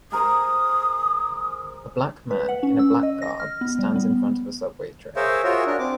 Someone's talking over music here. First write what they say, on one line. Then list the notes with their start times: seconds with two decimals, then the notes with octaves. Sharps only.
A black man in a black garb stands in front of a subway train.
0.12 G#4 A#4 C5 D#6
2.31 B4
2.49 F#5
2.63 C#4
2.79 E6
3.03 D#5
3.22 A#6
3.40 F6
3.61 B3
3.79 G3
3.96 B3
5.16 G#4 A#4 C5 C#5 E5 F5
5.44 F4 F#4 G#4 A#4 C#5 E5
5.67 D4 A#4
5.79 C4 D6